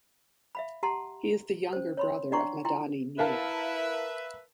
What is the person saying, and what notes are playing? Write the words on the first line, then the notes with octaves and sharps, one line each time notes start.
He is the younger brother of Madani Miya.
E5 F5 B5
G4 F#5 A5 A#5 C6
C#4 C5
C#5 B5 C6
D4 D5 F#5 A#5 C6 C#6
E4 F4 G5 A#5 C6
E4 A#4 B4 E5 F5 A5